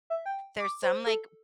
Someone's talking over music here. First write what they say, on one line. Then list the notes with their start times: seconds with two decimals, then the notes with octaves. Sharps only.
there's some, like,
0.10 E5
0.26 G5
0.58 D6
0.83 C5
1.07 A4